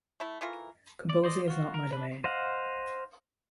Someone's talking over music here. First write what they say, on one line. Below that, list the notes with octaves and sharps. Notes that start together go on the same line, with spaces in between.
Composing is not my domain.
A3 E4
E3 A3 F4 A#4
D5
C5 D5 D#5
F4 F#4
A#4
D4 B4
C5 D#5 F5 F#5